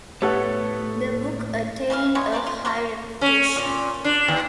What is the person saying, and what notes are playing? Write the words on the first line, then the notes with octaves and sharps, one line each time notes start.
The book attained a high reputation.
A2 A3 B3 G4 A4 C#5 F#5
C#3 E3 F#4 F5
G3 G#3 B3 C#5
C3 F#3 A#3 D5
F4
F#3 F4 A#5 C#6
C#4
A#2
D4
D#2